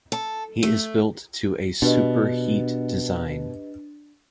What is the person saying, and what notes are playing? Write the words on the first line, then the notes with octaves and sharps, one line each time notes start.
He is built to a "super-heat" design.
A4
A3
B2 D4 G4 B4 D#5